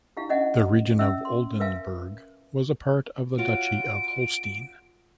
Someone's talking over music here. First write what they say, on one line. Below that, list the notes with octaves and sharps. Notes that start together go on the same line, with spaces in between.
The region of Oldenburg was a part of the Duchy of Holstein.
D4 E4 G4 F5
C#4 D4 D#5 E5 F#5 G#5
C#4 E5 E6
C6
A#4 B4 E5 F5 G#5
F4 F#4 C#5 D7